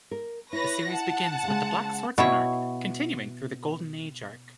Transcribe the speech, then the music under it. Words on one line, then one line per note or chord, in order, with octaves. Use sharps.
The series begins with the Black Swordsman arc, continuing through the Golden Age arc.
A#4
E4 B4 C#5 A#6
F#5 A5
C#3 G#3
B2 E4 C#5